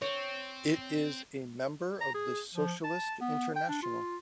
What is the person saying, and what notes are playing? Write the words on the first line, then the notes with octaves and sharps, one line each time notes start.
It is a member of the Socialist International.
C4 C#5
A#5
G#4
F3
A5
B3
G5
D4
F4